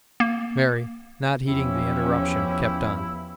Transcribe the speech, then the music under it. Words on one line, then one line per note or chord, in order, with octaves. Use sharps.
Mary, not heeding the interruption, kept on.
A#3
E2 F3 C#4 E4 G4